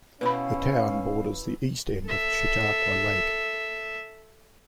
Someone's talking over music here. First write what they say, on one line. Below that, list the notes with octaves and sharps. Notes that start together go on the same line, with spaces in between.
The town borders the east end of Chautauqua Lake.
B2 C#4 E4 B4 F5 B5
A4 E5